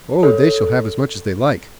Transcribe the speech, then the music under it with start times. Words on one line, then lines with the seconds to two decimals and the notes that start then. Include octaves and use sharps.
"Oh! they shall have as much as they like."
0.23 A4 C#5